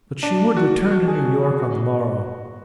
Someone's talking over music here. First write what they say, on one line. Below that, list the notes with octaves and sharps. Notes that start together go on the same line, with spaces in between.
But she would return to New York on the morrow.
D4
F#4
F#4
G#4
F#4
G#4
F#4